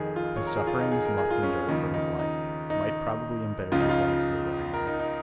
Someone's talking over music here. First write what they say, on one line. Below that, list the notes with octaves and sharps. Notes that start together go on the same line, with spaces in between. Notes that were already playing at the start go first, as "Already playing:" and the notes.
But his sufferings must endure for his life--might probably embitter his life to the very end.
Already playing: F1 F2 D#3 G#4
F4
C#5
A#4
G#4
F4
D#4
G#4
A#4
G#4
F4
C#4
D#2 C#3 F3 D#4
D#4
D#4
D#4
C#2 C#3 F3 F4
D#4
F4
A#4
D#4
D#4